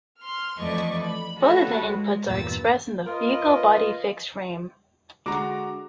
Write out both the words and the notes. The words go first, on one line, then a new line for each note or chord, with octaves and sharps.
Both of the inputs are expressed in the vehicle-body-fixed frame.
C6 F6
F2 E3 A3 D5 D#5 C#6
B5
A3 F#4 G4 A4 B4 C#5
G#3
E2 G2 A#2 E6 A6
F4 A#4 B4 D#5
D3 G#3 F#4 A#5 D6